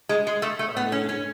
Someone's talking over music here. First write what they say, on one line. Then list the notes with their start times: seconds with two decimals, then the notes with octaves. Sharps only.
I mean,
0.09 G#3
0.27 G#3
0.42 A3
0.59 A3
0.76 B3
0.92 C#4
1.09 C#4